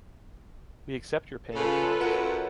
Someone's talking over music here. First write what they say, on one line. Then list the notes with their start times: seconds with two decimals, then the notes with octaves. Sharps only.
We accept your payment terms.
1.55 C#3 F4 A4 B4
2.00 F#2 A#4 F#5